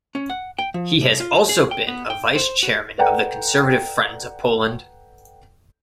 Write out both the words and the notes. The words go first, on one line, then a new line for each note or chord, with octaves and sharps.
He has also been a Vice-Chairman of the Conservative Friends of Poland.
C#4
F#5
G5
F3
C2
F4
G#4
G5
B3
G5
C5
F#4
A4 B4 D5 F#5 G5 A#5